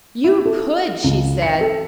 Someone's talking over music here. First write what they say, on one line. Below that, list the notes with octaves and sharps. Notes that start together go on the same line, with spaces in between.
"You could!" she said.
E4
A4
C#2
C#7
A4